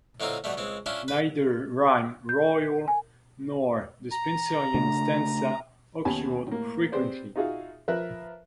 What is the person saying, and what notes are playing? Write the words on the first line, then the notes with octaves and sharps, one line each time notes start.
Neither rhyme royal nor the Spenserian stanza occurred frequently.
A2 D3 C4 D#4 F4
B2 D3 G3 A3
C#2 G#3 C4
C#4 D4 E4 F4
B4
G6
G#5
A#5
C#3 A3 D4
D#2 B2 C#4 G#5 A5 B5
A2 A#3
C4 G4 G#4 B4 C5 D5
D#4 F4 F#4 G#4 E5 F5
F3 A#4 B4 E5 F#6